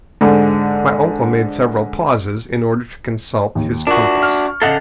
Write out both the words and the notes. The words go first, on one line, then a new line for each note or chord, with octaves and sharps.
My uncle made several pauses in order to consult his compass.
G#2 D3
D#2
D4 F4 F#4 A#4 C6
C#6 F6
C#3 A4 D#5 F5 F#5 C7